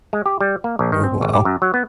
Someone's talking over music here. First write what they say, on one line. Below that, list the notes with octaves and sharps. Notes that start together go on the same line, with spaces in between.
Oh wow.
G#3
G4
G3
A#3
A#1
D#3
C4
G#1
G4
F#2
F#3
B3